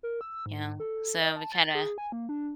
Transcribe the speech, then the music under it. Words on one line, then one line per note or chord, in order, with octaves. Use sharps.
You know? So we, kinda,
A#4
E6
G#2
A4
D#5
A5
A6
G#4
G#5
A#3
D4